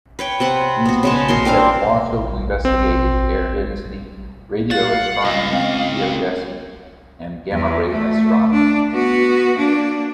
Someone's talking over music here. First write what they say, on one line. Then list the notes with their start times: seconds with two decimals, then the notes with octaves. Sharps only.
These missions have also investigated air density, radio astronomy, geodesy, and gamma ray astronomy.
0.19 B4 C#5 G5
0.40 C3 B4 F#5
0.85 B3 F#4
1.03 C#3 G#3 A5
1.28 G#3 F#4 A#4 C6
1.45 G3 C4 D4 F5
2.65 C4
4.71 F5 F#5 A6
5.25 C#2 D#5
5.53 C4
7.52 E2
7.93 A3
8.52 D4
8.92 B3 F#4
9.56 A#3 D4